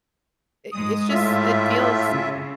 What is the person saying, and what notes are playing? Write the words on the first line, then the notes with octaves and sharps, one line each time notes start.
i i it's just it feels
G#2 G#3 D#6
A2 F4 E5
C#3